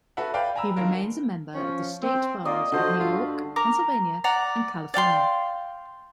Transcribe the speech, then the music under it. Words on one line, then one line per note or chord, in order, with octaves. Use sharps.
He remains a member of the State Bars of New York, Pennsylvania and California.
F#4 A4 B4 E5 F#5
B4 D5 F5 G5 B5
G#5 A#5 B5 E6
D#3 D4 F4 A#4
F3 C#4
C4
A#3 F4 D5 D#5
D3 D4 F4 F#4 C5 D#5
G2 A3 F4
A#4 A#5 D6
D5 F#5 A#5
D5 F5 G5 C6